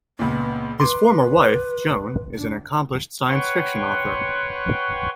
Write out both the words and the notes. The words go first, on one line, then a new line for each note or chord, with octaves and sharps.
His former wife, Joan, is an accomplished science fiction author.
C#2 A#2 B3
B4 C6 D6
D4
B4 C#5 F#5 G5 C6 C#6